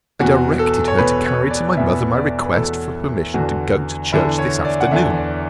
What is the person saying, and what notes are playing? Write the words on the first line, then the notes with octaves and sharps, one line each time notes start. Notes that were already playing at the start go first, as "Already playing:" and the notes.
I directed her to carry to my mother my request for permission to go to church this afternoon.
E2 B2 F#4
A4
C#5
E2 B2 B4
C#5
D5
E2 B2 E5
D5
B4
E2 B2 A4
E2 D3 F#4
E2 D3 E4
C#5
D5
F#5
E2 D3 E5
D5